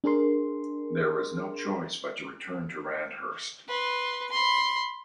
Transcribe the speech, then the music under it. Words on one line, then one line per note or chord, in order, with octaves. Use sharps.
There was no choice but to return to Randhurst.
D4 G#4 A#4 C6
B4 C6
B5 C6